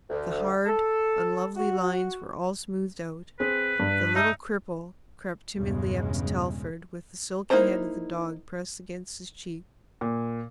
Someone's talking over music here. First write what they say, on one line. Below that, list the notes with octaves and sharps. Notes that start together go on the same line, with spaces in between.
The hard, unlovely lines were all smoothed out. The little cripple crept timidly up to Telford, with the silky head of the dog pressed against his cheek.
D2
A4
F#4
C4 G#4 B4
G2
D#4 E5 A5 E6
B1 E2 G2 C#3 G#3
A#3 D#4 E4 C5 A#5
A#2